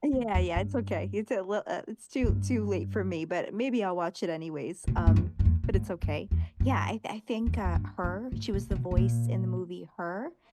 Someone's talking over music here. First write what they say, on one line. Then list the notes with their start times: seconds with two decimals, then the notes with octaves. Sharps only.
Yeah, yeah, it's okay. It's a li uh, it's too too late for me, but maybe I'll watch it anyways, um, but it's okay. Yeah, I I think, uh, Her, she was the voice in the movie Her,
0.13 D#3
0.34 E2
0.56 G2
2.24 G#2
2.29 G2
4.88 A#2
4.97 G#2
5.07 G2
5.16 E2
5.39 G2
5.45 E2
5.64 A#2
5.74 G#2
6.03 G2
6.31 E2
6.60 G2
7.46 E2
7.65 E2
7.75 G2
8.04 G2
8.32 G#2
8.54 A#2
8.71 C#3
8.75 B2
8.91 G#2
8.97 A#2